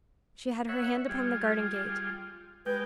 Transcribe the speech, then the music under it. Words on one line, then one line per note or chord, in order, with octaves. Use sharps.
She had her hand upon the garden gate.
C#5 E5 F#5
G3 F4 G#4
G#3 G4 B4 G5